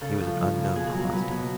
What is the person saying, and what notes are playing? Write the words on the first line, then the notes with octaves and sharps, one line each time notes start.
He was an unknown quantity.
C#3 A4
F3
F3
C#3
B2 G#4
G#4
F#3
A#4
F#3 B4
B2